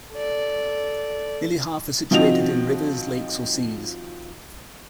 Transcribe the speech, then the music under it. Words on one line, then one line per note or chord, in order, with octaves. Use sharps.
Nearly half are situated in rivers, lakes or seas.
A4 D5
D#3 F3 C4 F#4 D#5 F7